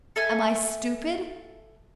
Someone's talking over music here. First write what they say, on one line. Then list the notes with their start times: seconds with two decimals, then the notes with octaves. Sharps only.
Am I stupid?
0.16 A4 E5 G#5